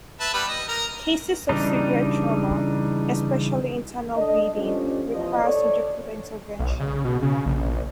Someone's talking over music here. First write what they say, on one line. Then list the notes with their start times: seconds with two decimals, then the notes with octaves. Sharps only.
Cases of severe trauma, especially internal bleeding, require surgical intervention.
0.20 B4 E5 A5
0.34 G3 B3 B4
0.48 D#5
0.69 A#4 A#5
1.49 C#3 E3 G3 D4 D#4
4.16 D4 A4 D#5
4.54 F3 A3 C#4 D4 G4
5.10 E2 F3 D#5
5.42 A4 C#5 D5
6.59 B1
6.80 C#3
7.04 B2
7.22 C#3
7.46 A#1